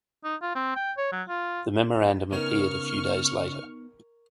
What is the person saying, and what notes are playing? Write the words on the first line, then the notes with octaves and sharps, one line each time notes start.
The memorandum appeared a few days later.
D#4
F4
C4
G5
C#5
F#3
F4
C#3 B3 D#4 A#4 C#5 C#6 F6